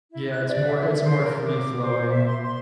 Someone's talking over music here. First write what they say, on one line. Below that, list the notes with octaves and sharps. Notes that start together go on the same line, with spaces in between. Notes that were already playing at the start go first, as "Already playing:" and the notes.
Yeah, it's more it's more free-flowing,
E4
F#6
D5
E5
E5
C5
A#4
D6
C5
E5
C6
C6